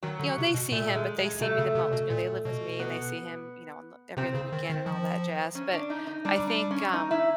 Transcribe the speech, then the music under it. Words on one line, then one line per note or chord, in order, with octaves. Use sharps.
you know, they see him, but they see me the most. You know, they live with me, and they see him, you know, on the every other weekend and all that jazz. But I think, um,
D#3 F#3
D3
C3
B2
A#2 A3
G#3
G#3
B2 A3
C#3
C3
B2
A#2
B2
B3
C3 C4
C#3
D#3
D#3
F3
C#4
D4
D#4
D#4
G3 D4
D4
C#4
D#4
E4